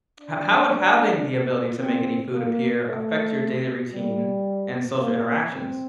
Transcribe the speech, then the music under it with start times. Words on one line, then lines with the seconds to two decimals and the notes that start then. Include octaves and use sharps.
h how would having the ability to make any food appear affect your daily routine and social interactions?
0.20 D4
1.79 C4
2.32 A#3
2.87 A3
3.92 G3
4.99 A#3
5.53 C4